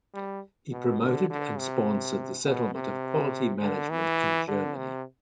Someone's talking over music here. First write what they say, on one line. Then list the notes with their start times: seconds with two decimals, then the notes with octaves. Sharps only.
He promoted and sponsored the settlement of quality management in Germany.
0.14 G3
0.72 B2
1.01 D3
1.30 D3
1.59 C3
2.45 B2
2.75 C3
3.61 D3
3.90 E3
4.48 D3
4.77 C3